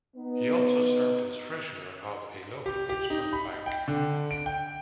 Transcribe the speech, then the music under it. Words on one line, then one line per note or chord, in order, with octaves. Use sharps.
He also served as treasurer of a local Pittsburgh bank.
B3 D#4
G4
G4
D#4
B5
G5
D3
D7
G5